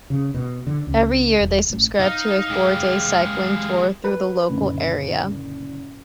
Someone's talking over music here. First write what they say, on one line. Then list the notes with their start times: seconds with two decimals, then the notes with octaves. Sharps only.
Every year they subscribe to a four-day cycling tour through the local area.
0.10 C#3
0.34 B2
0.67 D3
0.87 C#2
1.39 E1
1.70 A1
2.00 D#4 F5
2.50 G#3 G4
4.04 B4
4.49 F#1 A#2 D3